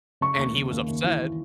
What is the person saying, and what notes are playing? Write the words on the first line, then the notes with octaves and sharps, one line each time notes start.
and he was upset
C#3 C#6
D#2
C#3
D#2
D#2
E3